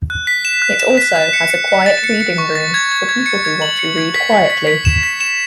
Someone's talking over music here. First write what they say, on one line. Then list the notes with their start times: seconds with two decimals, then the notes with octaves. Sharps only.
It also has a Quiet Reading Room for people who want to read quietly.
0.10 F#6
0.27 B6
0.45 E7
0.62 F#6
0.80 E7
0.97 B6
1.16 F#6
1.33 C#7
1.50 C#7
1.68 C#7
1.86 A6
2.04 C#7
2.21 C#7
2.38 C#6
2.55 A6
2.74 G#6
2.92 G#6
3.09 G#6
3.26 C#7
3.45 G#6
3.62 F#7
3.79 C#7
3.98 G#6
4.14 B6
4.32 B6
4.50 B6
4.67 B6
4.85 E7
5.03 B6
5.21 E7